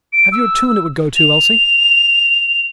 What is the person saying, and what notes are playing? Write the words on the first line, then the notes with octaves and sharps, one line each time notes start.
"Have you a tune it would go to, Elsie?"
D7
E6
F7